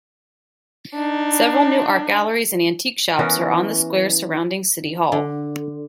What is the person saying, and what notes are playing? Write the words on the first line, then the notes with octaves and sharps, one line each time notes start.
Several new art galleries and antique shops are on the square surrounding City Hall.
D4 D#4
E3 B3 C#4 A#4
D3